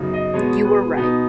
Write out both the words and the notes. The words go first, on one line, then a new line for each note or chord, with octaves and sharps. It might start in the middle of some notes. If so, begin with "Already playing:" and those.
You were right.
Already playing: F#2 C#3 B3 D#4
D#5
B2 G#3 B3 C#5
B4
B2 B3 D#4